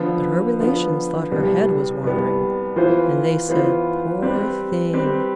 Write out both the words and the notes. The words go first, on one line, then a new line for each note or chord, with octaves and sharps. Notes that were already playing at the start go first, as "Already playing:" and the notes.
But her relations thought her head was wandering, and they said, "Poor thing!"
Already playing: D3 F3 B3
D3 F3 B3
C2 C3 G3 B3
C2 C3 G3 B3
E3 B3 F4 C5
E3 B3 F4 C5
G3 C4 G4 B4
G3 C4 G4 B4